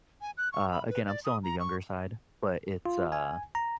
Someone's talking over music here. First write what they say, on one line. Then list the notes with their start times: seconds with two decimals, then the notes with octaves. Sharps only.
uh, again, I'm still on the younger side, but it's, uh,
0.21 G#5
0.37 F#6
0.53 C#6
0.71 B5
0.89 B4
1.07 D5
1.24 D#6
1.43 A#5
1.60 C#6
2.86 F4
3.12 G#5
3.55 A#5